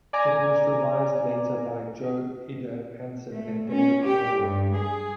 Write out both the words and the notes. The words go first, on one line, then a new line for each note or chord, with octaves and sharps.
It was revised later by Jo-Ida Hansen and David Campbell.
D5 G#5 A#5
A3
C#4
G4
G2
G#4